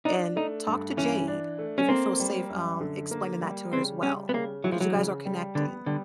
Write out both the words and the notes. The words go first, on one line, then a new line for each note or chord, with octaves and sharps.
and talk to Jade, if you feel safe, um, explaining that to her as well, 'cause you guys are connecting.
D4 D#4
A3 D#4
G2
E3 C#4
D4
A3
C#4
A#3 C4
G3
F#2
D3
A#3
G3
C#3 C4
G3 C#4
B3
C#3 A#3
E3 F#3
F3
F#3
C#3
G3
D3 B3
D3 G3